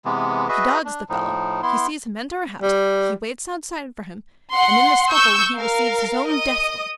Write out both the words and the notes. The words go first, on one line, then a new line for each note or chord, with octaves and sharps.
He dogs the fellow, he sees him enter a house, he waits outside for him, and in the scuffle he receives his own death-wound.
C3 E3 G#3 B3
F#4 G#4 B4 D#5 E5
D4
A2 F3 D#4
B3 E4 C6
G3
F#5 C6
C#6 E6 G6
A#4 F5
D#5 D#6